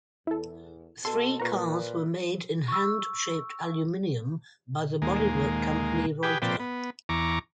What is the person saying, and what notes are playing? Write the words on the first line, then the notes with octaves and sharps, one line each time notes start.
Three cars were made in hand shaped aluminium by the bodywork company Reutter.
E2 E4 A4
B2 A4 C6
A#2 A#4 B4 A#5 C#6
C#6 E6
D#2 G#3 A#3
G4 G#4 B4 G5
A#2 F3 C4 B4 D5 G5
B3
E2 A#5 C#6 D6